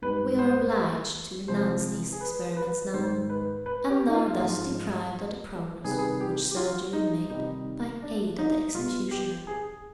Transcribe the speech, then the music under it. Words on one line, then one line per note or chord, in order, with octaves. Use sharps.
We are obliged to renounce these experiments now, and are thus deprived of the progress which surgery made by aid of the executioner.
G#2 G3 B4
C5
C3 F3 G#3 C5
G#4
B4
B4
G#2 D#3 G#3 C5
B4
B4
G4
D#4
F4
G#2 F3 G#3 F4
C3 D#3 G3 G#4
B4
G#4
G4
G4
F4
D#4
C3 D#3 G3 D#4
D4
D#4
B2 G3 F4
G4
G#4